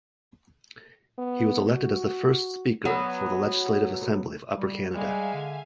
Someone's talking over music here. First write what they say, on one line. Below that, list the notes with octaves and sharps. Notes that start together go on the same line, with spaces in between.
He was elected as the first speaker for the Legislative Assembly of Upper Canada.
B3
F#4
F#3 B3
G3
G3 G#3 E5 F5 G#5
D3